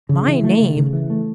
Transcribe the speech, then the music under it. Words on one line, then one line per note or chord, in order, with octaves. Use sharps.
My name!
C#3
E3
A3
C#3
C#3
E3
A3